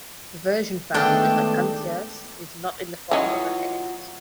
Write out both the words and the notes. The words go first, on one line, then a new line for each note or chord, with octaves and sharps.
The version found in Lactantius is not in the form of an edict.
D#3 G#3 A3 B3 D4 A4 G5
E3 F#3 C#4 D#4 F4